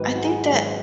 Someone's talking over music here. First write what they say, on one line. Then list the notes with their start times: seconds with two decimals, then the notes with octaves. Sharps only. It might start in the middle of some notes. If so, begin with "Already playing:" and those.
I think that
Already playing: G#1 G#2 D#3 F#3 B4
0.15 F#4
0.22 G#4
0.51 G#1 G#2 D#3 F#3